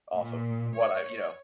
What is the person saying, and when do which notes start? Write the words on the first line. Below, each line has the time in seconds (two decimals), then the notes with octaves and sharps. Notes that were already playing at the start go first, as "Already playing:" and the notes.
Off of what I you know,
0.17 A#2
0.76 C#5